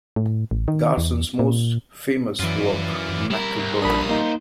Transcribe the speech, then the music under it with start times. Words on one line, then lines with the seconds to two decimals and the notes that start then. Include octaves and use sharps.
Garson's most famous work, MacBird!
0.16 A2
0.51 A1
0.68 D#3
0.97 E2
1.39 A#2
2.39 F#2 E3 F4 D5
3.31 G3 E4 A#4
3.59 C2
3.82 A#1 D4 B5 D#6
4.09 A#3 B3 D#4 C5